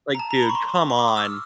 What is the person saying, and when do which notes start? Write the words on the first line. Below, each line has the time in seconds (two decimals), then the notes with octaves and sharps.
like, dude, come on,
0.15 A#5
0.19 A5
0.31 A#5
0.43 B5
0.49 C#6
0.55 C6
0.90 C#6
0.99 D6
1.08 D#6
1.17 E6
1.25 F6